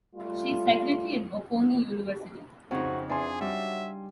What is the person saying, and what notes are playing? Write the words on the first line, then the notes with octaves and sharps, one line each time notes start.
She is secretary at Bocconi University.
G3 A3 F4
F2 C#3 A3 C4 D#4 F#4
E2 D4 G#4 G#5 C6
F#3 G3 E5